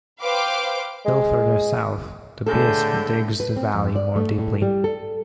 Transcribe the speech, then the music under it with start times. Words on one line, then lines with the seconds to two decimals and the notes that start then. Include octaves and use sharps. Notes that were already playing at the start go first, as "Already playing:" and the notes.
Still further south, the Biesme digs the valley more deeply.
0.21 B4 C5 F5 G5 D6
1.06 G#3
2.46 A2 D3 G#4 A4 G6
3.40 B4
3.56 C4
3.74 F2
3.96 D5
4.16 A3
4.38 A2
4.62 G3
4.84 A4